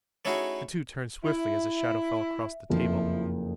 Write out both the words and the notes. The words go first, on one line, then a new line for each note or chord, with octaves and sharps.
The two turned swiftly as a shadow fell across the table.
A3 C#4 D#4 E4 F#4 G#4
E4 E5
F#1 F2 F3 E4